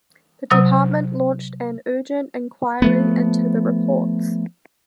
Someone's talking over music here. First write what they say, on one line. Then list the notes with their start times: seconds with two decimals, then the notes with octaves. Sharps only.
The Department launched an urgent inquiry into the reports.
0.51 C3 F#3 D#6
2.82 F3 A3 B3